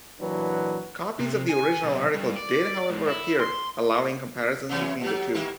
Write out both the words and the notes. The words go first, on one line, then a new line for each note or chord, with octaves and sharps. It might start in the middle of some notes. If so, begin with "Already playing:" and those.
Copies of the original article did however appear, allowing comparisons between the two.
A#2 E3 F#3 D4 B4
C3
G#5
B1
G2
D5
G#2
E4
C6
C3 E3 F#3
B2 F#3 G4
D#3 A#3 E4